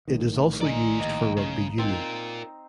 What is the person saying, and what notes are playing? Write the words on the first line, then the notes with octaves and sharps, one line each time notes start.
It is also used for rugby union.
A#1 A2 D#3
D#4 D5 G#5
D#2 D#5
C#3
C4 D#4 F4 A#4